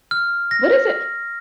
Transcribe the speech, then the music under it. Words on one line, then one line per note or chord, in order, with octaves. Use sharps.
What is it
F6
A#6